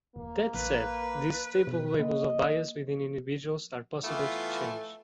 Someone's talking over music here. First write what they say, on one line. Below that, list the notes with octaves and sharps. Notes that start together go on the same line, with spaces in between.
That said, these stable levels of bias within individuals are possible to change.
D#1 A#3
A#1 B4
B2
A#3 D#5
E3 A3 B3 F4